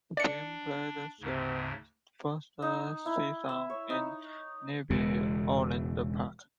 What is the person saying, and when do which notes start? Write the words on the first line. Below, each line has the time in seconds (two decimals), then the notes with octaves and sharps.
The team played their first season in nearby Overland Park.
0.17 D4 D5 C#7
1.21 D2 G#2 C#3
2.62 D#4
3.06 E4
3.49 E5
3.70 C#5
3.90 D#4
4.90 E1 E2 C#3 G#3